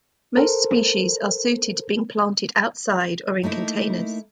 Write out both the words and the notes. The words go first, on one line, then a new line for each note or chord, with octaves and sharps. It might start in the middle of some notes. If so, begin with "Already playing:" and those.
Most species are suited to being planted outside or in containers.
A4 A#4 C5
A3 A#3 D#4 E4